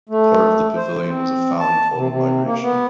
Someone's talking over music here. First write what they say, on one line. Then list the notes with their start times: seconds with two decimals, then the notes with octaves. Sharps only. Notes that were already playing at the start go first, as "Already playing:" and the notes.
Part of the pavilion was a fountain called Migration.
0.09 A3
0.76 C5
1.08 C4
1.59 A5
1.95 C3
2.09 C3
2.44 A#3
2.62 B3